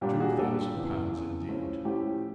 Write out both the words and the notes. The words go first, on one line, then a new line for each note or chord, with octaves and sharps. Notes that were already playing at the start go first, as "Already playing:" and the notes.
Two thousand pounds indeed!
A#2 G3 A#3 D4 G4
F#4 G#4
A#2 G3 A#3 D4 G4 A4
E2 C#3 E3
E2 C#3 E3
A2 F3 A3 C#4 E4
A2 F3 A3 C#4 E4 G4